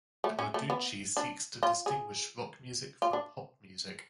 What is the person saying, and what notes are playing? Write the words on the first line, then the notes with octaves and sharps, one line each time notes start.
Carducci seeks to distinguish rock music from pop music.
A3
C#4
A3
B3
D4
F4
G#4
F4
D4